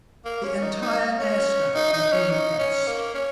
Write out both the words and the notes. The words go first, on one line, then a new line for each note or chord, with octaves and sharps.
The entire air staff would be replaced.
A#3
C#4
D#4
D#4
C#4
D#4
D#4
C#4
D#4
C#4
A#3
C#4